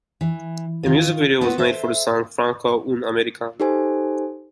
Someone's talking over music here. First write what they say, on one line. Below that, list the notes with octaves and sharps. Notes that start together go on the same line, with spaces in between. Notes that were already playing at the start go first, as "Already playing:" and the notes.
A music video was made for the song, "Franco Un-American".
E3
D#3 F4
B3 C4 F#4 A4 B4
A4 C5 E5
D#4 G4 A4 C5 G#5